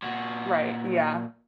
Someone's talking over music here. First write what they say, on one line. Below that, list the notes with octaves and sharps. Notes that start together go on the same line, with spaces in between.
Right, yeah.
A#2 F#4